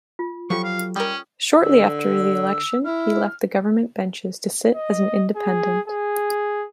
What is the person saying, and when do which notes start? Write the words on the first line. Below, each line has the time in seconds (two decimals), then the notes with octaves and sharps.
Shortly after the election, he left the government benches to sit as an independent.
0.19 F4
0.50 F3 F#3 F4 G4 A4 C#6
0.64 F5
0.96 G3 C#4 A#4 G5 D#6
1.62 D3 E6
2.84 E4 F6
4.75 D#5
5.36 G#4
5.88 G#4